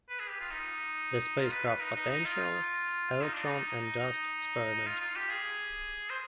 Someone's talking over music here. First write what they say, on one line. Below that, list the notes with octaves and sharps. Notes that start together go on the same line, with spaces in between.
The Spacecraft Potential, Electron and Dust Experiment.
B4
G#4
G4
F4
D#4
F4
B4
B4
D#4
D#4
D#4
F4
F4
D#4
D4
D#4
D#4
F4
F4
G4
G#4
C5